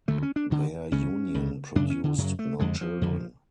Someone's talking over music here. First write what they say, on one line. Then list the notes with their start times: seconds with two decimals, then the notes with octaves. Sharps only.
Their union produced no children.
0.08 D2 D3 A3
0.22 C#4
0.36 D4
0.50 D2 D3
0.92 C#2 C#3 C#4
1.34 C#2 C#3
1.75 F#2 C#3 D4
1.90 C#4
2.04 D3
2.18 F#2 C#3 F#3
2.39 A3
2.59 F2 D3 G#3
2.81 F3
3.01 F2 D3